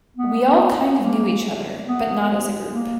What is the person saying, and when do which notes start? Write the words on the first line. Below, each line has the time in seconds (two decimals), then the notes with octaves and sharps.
We all kind of knew each other, but not as a group.
0.17 B3
1.02 A#3
1.88 B3
2.73 A#3